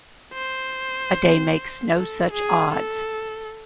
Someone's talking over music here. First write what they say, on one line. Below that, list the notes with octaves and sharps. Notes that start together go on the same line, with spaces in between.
A day makes no such odds.
C5
A4
G#4
A4